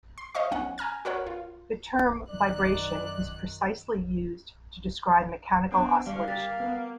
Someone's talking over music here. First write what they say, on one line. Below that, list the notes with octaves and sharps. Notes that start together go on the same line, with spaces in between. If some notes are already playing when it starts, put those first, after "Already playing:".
The term "vibration" is precisely used to describe mechanical oscillation.
C6
C5 D#5 F5 C#6
B1 C#4 F#5
G#5 A#5 F6 G#6
F#4 A#4 B4 C#5 F#5
F4
F#2 D#3 D5 F#6
B3 C4 D4 C5 A5
D3 G3 D5 F5
A#3 G4 A6 B6
B3